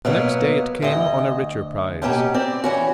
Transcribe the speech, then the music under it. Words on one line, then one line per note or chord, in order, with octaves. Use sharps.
The next day it came on a richer prize.
B2 F#3 A#3 B3
D2 D#5
B2 D#3 A#3 B3 C#4 G4
C4 D5
E3 C#4 F#4